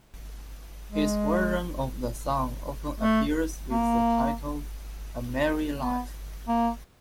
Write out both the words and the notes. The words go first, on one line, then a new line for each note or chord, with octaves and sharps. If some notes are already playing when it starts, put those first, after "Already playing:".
His version of the song often appears with the title "A Merry Life".
G#3
A3
A#3
B3
A#3